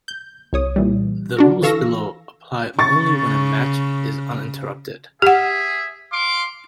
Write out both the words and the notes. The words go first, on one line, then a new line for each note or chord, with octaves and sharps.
The rules below apply only when a match is uninterrupted.
G6
C2 C#5 D#6
A#2 E3 G3
D4 F#4 A#4
E3 A4 F5 C#6 E6 A#6
C#3 C#6 A6
G4 G#4 E5 F#5
F5 C6 D6